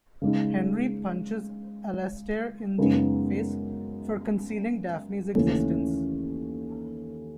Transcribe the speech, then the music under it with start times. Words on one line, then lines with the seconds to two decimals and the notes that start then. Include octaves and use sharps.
Henry punches Alastair in the face for concealing Daphne's existence.
0.22 C#3 G#3 D#4
2.78 F#2 C#3 G#3 B3 D#4
5.35 D#2 C#3 E3 A3 C#4